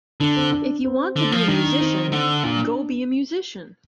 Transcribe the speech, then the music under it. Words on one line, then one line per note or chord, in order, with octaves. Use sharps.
If you want to be a musician, go be a musician.
D3 D4
C4
D4
C4
D3
F3
D#3 D4
D4
C4 D#4
D3
A#2 D4